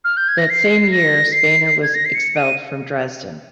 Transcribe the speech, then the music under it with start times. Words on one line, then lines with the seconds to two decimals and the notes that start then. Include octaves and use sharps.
That same year Spener was expelled from Dresden.
0.05 F6
0.17 G6
0.28 G#6
0.38 A#6
0.50 C7
0.92 A#6
1.32 C7
1.83 G#6
1.95 A#6
2.05 C7
2.15 C#7
2.36 D#7